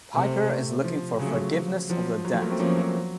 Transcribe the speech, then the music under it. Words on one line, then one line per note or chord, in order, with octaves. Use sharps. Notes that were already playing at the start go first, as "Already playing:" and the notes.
Piper is looking for forgiveness of the debt.
C3 A3 C4
A3 C4
F3
C#3 F#3
A3
F#3
F3
F3 F#3
F#3
F3 A3
F#3 A#3
A3 C4
F3 A#3 C#4
F#3
F#3